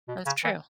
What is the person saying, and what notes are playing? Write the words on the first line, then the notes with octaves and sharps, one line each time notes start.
That's true.
B2
C#3
E3